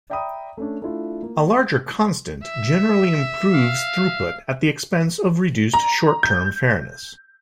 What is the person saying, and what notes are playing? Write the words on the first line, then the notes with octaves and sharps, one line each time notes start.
A larger constant generally improves throughput at the expense of reduced short-term fairness.
D5 E5 G5 A#5 B5 D#6
A3 C#4 D4
A3 D4 E4 F4
A#3
E5
F5
A#5
G6